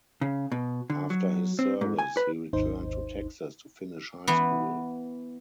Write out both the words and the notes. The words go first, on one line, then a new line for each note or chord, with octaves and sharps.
After his service, he returned to Texas to finish high school.
C#3
B2
D3
F#3
C4
G#2
G#5
B4
G#1 D#2 D#4 C5
E3 B3